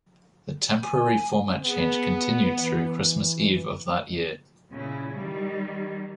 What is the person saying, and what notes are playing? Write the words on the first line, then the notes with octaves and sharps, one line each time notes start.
The temporary format change continued through Christmas Eve of that year.
G#5
B3 G#4
E3
A#2 C#3 E4
D#3 G3